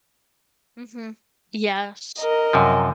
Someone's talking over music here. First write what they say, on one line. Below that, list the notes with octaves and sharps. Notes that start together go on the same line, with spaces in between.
Mhm. Yes.
A#4 D#5
F#2 C3 F3